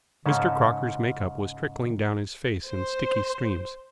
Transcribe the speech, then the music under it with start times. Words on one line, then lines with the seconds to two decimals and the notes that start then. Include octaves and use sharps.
Mr. Crocker's make-up was trickling down his face in sticky streams.
0.26 G#2 C#3 C#4 A5
2.67 C5